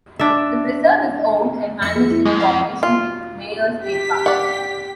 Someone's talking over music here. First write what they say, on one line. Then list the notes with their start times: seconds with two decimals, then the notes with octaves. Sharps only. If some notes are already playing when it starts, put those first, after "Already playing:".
The preserve is owned and managed in cooperation with Mayer State Park.
0.19 D4 E5
1.82 F2 E5 C#7
1.95 G#4
2.11 E4
2.25 F2 G#3
2.37 C4 F5
2.83 F4
3.84 G4 B6
4.26 D5 F#5